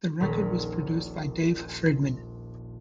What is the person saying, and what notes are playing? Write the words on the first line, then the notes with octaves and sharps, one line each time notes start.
The record was produced by Dave Fridmann.
D#1 A#1 C#4 A#4 B6